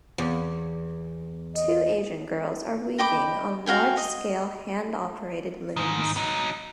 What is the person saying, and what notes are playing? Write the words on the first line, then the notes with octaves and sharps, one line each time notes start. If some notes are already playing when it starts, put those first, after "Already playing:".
Two Asian girls are weaving on large scale handoperated looms.
E2
D#5
D#5 G5 B5 D6
F#4 F5 G5 G#5
D#5
G#2 D#3
F#3 D#4